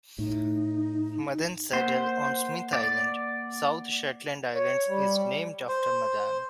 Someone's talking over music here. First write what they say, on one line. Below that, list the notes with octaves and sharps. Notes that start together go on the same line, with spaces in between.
Madan Saddle on Smith Island, South Shetland Islands is named after Madan.
A2 D#4
A#3 C5 F#5 C7
D5
C#5
G3
C5